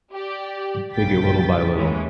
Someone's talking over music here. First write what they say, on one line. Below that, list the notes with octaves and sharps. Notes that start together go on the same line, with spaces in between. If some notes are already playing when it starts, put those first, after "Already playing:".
M take it little by little.
G4 D5
A#1 F#2 C#3 G5 A6 B6
D#2 A2 E3 G#3 C#4